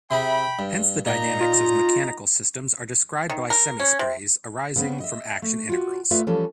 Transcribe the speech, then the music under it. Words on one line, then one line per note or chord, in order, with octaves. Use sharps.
Hence the dynamics of mechanical systems are described by semisprays arising from action integrals.
C3 E4 G#4 G5 B5
G2
A#2 D4 D#4 D#5 A#5
F4
D#3
A#4
C#4
C3
C#3 B3 C4
D#5 E5
A3
F4 F#4
A3 F4 B4 D5 E5
E3 F3 G3 C#4 A4